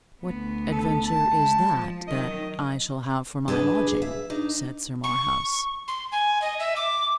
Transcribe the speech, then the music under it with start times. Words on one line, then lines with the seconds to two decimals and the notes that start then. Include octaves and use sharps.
What adventure is that that I shall have for my lodging? said Sir Marhaus.
0.23 D2 B3
0.72 A4
1.05 A5
1.36 G#3
1.68 F3
2.08 D#3 F#3 D#5
3.48 D4 G#4 A4 B4 D#5
3.87 G#4
4.02 E5
4.30 D4 D#4
5.03 C#6
5.88 C6
6.12 G#5
6.41 D#5
6.59 E5
6.76 D6